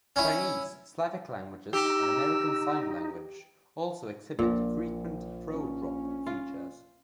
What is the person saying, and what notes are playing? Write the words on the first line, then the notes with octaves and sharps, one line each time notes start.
Chinese, Slavic languages, and American Sign Language also exhibit frequent pro-drop features.
C#4 E4
D#4 G4 E6
A#1 A#2
C#4
F4